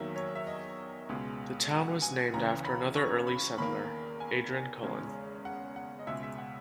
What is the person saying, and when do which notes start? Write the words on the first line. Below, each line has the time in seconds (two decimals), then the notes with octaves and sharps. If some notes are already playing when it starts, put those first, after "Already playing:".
The town was named after another early settler, Adrian Cullen.
Already playing: E2 D#3 F#3 A#3 E5
0.16 C#5
0.36 E5
0.47 D#5
1.09 C#2 B2 G#3
1.71 F#5
2.02 G#5
2.33 C#2 C#3 E3 A#5
2.65 B5
2.96 C#6
3.27 B5
3.58 E2 D#3 A#3 B5
4.20 G#5
4.83 E2 C#3 G#3
5.45 F#5
5.76 F#5
5.99 D#5
6.07 C#2 B2 G#3 E5
6.23 E5
6.38 F#5